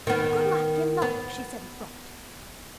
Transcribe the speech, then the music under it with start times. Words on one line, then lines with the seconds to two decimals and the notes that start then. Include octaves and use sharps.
Good luck in love she said it brought.
0.07 D#3 B3
1.02 B3